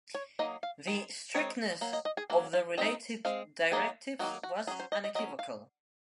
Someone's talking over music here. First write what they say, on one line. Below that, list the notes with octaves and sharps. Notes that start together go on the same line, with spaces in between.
The strictness of the related directives was unequivocal.
C#5
F#3 A#3 D#4 D#5
F5
D#3 G#3
D#3 G#3 C4 D#4 C#5
F#3 A#3
D#5
D#5
G#4
F#3 A#3 C#4 F#4
F4
G#3 C4 D#4 D#5
G#3 C4 F5
D#3 F#3 A#3 D#4 G#4
D#3 F#3 A#3 D#4 F#4
F#4
F#3 C#4 G#4
C5
D#5
D#5
F#3 C#4 D#5
F5